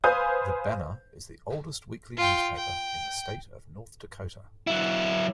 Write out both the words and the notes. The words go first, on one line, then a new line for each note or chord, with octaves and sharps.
The "Banner" is the oldest weekly newspaper in the state of North Dakota.
B4 C5 F5 G#5 D#6 G6
F4 G5
G5
F#3 E4